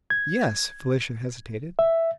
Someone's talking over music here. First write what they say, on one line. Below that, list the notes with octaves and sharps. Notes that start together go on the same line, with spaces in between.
"Yes." Felicia hesitated.
G#6
E5